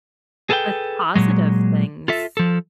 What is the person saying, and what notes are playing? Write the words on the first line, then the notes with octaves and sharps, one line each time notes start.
With positive things.
G#4 A4 B4 F#5 G5
A#2 F#3 G#3
F4 A4 E5
F3 A4